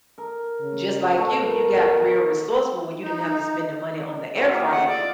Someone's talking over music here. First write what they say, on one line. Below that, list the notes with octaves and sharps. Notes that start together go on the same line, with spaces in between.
just like you, you got real resourceful where you didn't have to spend the money on the air fryer.
A#4
C#3
B2 A3
A#4
D#4
F#3 G4 C6
A#3 F4 D#5
A3 F#5
D5 D#5 E6
F4